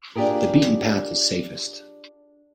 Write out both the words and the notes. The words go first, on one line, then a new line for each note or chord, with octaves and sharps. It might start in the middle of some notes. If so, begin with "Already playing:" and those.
The beaten path is safest.
D4 F4 G4 G#4 A#4